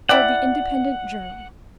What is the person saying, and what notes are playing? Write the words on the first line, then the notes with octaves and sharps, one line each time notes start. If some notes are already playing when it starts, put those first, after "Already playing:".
For the Independent Journal.
E4 G4 D5 F#5